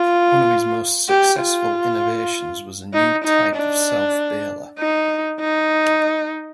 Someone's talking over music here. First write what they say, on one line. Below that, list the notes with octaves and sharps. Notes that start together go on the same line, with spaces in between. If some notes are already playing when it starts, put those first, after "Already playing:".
One of his most successful innovations was a new type of self-bailer.
Already playing: F4
G4
F4
D#4
D#4
D4
D#4
D#4